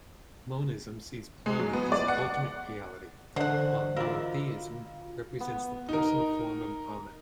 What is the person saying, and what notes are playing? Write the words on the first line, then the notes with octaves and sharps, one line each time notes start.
Monism sees Brahma as the ultimate Reality, while monotheism represents the personal form Brahman.
G#3
F#3
B3
D5
F#5
D3 E3 C5 F#5
F4 F#4 A#4 D5 F5
B3
D#4 A#4